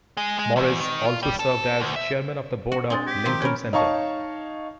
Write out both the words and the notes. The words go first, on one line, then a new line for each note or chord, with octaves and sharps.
Morris also served as chairman of the board of Lincoln Center.
G#3
G#3
E2
D#3
F4
G3
A4
D2
E5
F#4
G#3 C4 D4 A6
G4 G#6 B6
D#3 F3 C4
C#4 A#4 C#5 B5 F6
D#4 C#5 F5 A5 C#6